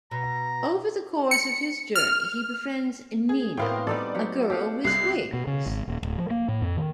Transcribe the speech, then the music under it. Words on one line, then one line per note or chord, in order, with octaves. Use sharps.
Over the course of his journey, he befriends Nina, a girl with wings.
B2 A#5
C#7
F6
G#4
A2 B3 C4 A#4 F5 G5
G3 D#4 A4 D5
F#3 G4 F#5
G4 A4 F5 F#5
C2 F#6 C7
B2
C#3
G#1
D#1
D1
F3
A#3
A2
F2
D#3